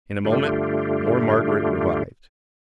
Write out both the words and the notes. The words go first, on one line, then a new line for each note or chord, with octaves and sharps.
In a moment more Margaret revived.
G2 D3 A3 F4 G4